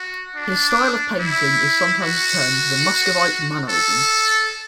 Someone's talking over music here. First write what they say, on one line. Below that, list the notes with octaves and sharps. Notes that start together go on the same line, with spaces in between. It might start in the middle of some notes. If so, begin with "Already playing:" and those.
His style of painting is sometimes termed "the Muscovite mannerism".
Already playing: F#4
D4
E4
F#4
A4